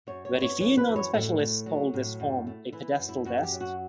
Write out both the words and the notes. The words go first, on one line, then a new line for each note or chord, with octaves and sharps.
Very few non-specialists call this form a pedestal desk.
F#2 C#5
C#5
B3
C#5
E3 C#5
B4
F#2
C#5
A2 A4
A3
F#3
A2
F#2
A3
E3 E4
F#2
E4
F#2 F#4
A4
G4
F#3
F#4